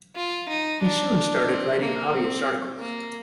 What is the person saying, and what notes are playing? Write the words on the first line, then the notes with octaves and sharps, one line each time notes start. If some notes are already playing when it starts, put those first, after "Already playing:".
He soon started writing hobbyist articles.
F4
D#4
D4
C4
A#3
C4
A#3